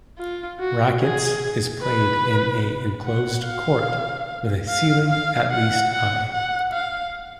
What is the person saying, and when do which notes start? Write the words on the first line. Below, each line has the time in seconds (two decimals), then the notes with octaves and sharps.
Rackets is played in a enclosed court, with a ceiling at least high.
0.19 F4
0.60 F#4
1.01 G#4
1.83 B4
3.05 F#5
3.46 F5
4.69 F5
5.10 F5
5.51 F#5
5.92 F#5
6.33 F#5
6.73 F5